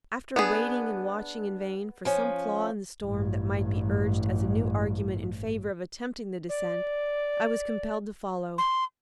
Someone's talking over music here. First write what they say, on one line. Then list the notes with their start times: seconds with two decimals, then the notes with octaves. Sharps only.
After waiting and watching in vain for some flaw in the storm that might be urged as a new argument in favor of attempting the descent, I was compelled to follow.
0.36 B3 D4 G#4 F#5
2.05 F3 C#4
3.03 A1 G2
6.49 D5
8.58 C6